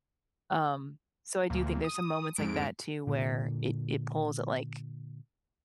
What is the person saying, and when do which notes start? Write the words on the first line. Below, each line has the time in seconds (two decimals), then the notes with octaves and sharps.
Um, so, I Do think there's some moments like that too, where it it pulls at, like,
1.50 D2 A#2
1.84 D#6
2.36 F2 G#2 D7
3.07 A#2 D3